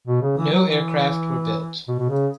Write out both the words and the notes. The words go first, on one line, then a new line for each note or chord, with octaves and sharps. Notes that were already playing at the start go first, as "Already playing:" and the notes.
No aircraft were built.
B2
C#3
E3
F#3
E3
B2
B2
C#3